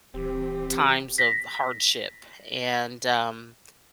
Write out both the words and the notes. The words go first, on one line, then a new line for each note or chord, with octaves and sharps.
times of hardship, and, um,
D#1 E3 C4 G4
A#6 B6